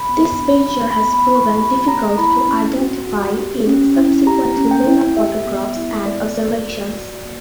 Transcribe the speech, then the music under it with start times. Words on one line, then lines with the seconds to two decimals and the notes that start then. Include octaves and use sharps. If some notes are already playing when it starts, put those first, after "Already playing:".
This feature has proven difficult to identify in subsequent lunar photographs and observations.
Already playing: B5
0.09 B3
0.39 D4
0.68 G4 B5
0.91 B5
0.98 B3
1.13 B5
1.28 E4
1.36 C#6
1.58 G4 B5
1.88 A#3 A#5
2.18 E4 B5
2.48 C#4
2.78 F#4
3.07 F#4
3.37 G4
3.67 C#4
3.96 E4
4.26 G4 A#5
4.57 C#4
4.71 G5
4.86 E4
5.17 G4 E5
5.46 B3
5.76 E4
6.06 B3 D5
6.36 F#4
6.66 F#4
6.95 F#4
7.25 A#3